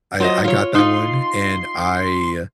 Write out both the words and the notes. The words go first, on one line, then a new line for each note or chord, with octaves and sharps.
I I got that one and I
F#3 F4 C5 D#5
F4 C#5
D#4 F4 C6